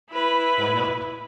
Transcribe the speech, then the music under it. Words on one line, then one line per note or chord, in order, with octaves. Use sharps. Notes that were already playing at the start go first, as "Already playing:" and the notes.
Why not?
E4 B4